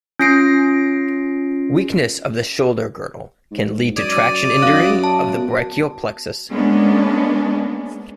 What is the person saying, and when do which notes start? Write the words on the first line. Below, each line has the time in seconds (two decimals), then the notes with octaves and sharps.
Weakness of the shoulder girdle can lead to traction injury of the brachial plexus.
0.19 C#4 F4 A#6 C7 D7
3.51 G#2
3.97 F#2 D5 D6 D#6 G#6
4.62 F#2 C#4 F5 F#6
5.04 A5
5.35 B2
6.51 G#3 A#3 B3 C#4 D4